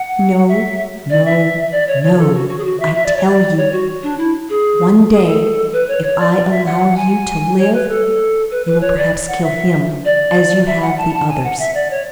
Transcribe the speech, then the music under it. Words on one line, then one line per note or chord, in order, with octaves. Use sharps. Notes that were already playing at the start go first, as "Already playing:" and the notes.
"No, no, no, I tell you; one day, if I allow you to live, you will perhaps kill him, as you have the others!"
Already playing: F#5
E5
D5
E5
D5
C#5
C#5
A4
F#4
F#4
G#4
F#4
E5
E5
D5
C#5
D5
C#5
F#4
D4
E4
G#4
G#4
A4
B4
C#5
C#5
D5
D5
E5
F#5
G#5
C#5
B4
A4
B4
B4
C#5
D5
F#5
E5
D5
E5
F#5
A5
A5
G#5
F#5
E5
D5
C#5